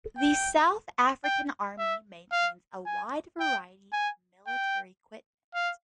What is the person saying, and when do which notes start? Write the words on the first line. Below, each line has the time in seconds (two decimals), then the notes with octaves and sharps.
The South African Army maintains a wide variety of military equipment.
0.17 G5
1.24 G5
1.79 E5
2.32 F5
2.86 G#5
3.40 G5
3.93 G#5
4.47 G5
5.54 F5